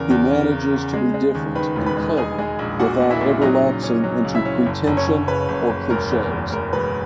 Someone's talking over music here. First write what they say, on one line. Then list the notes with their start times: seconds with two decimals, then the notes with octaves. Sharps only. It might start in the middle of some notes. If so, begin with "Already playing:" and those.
He manages to be different and clever without ever lapsing into pretension or cliches.
Already playing: E2 C#3 A#4
0.10 E2
0.31 C#3
0.52 C#3
0.72 C#3
0.94 G#3
1.14 G#3
1.35 D#2
1.55 D#3 B4 B5
1.76 E1
1.86 B4 B5
1.97 G#3
2.17 D#4 G#4 G#5
2.39 G#3
2.59 A#1
2.79 A#2 F#4 F#5
3.00 A#2
3.11 E4 E5
3.21 A#2
3.42 F#3 D#4 D#5
3.63 C#3
3.83 C#4
4.04 F#3
4.25 C#2
4.35 E4 E5
4.45 C#4
4.66 F#1
4.87 F#1
4.97 C#4 C#5
5.07 F#1
5.28 C#3 B4
5.49 F#1
5.69 F#1
5.90 E1 A#4
6.11 E2
6.31 E2
6.52 E1 A#4
6.73 E1 B4